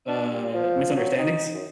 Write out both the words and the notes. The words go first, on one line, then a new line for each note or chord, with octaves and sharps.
uh, misunderstandings?
D4
G3
F3
F#3
D#4
F#2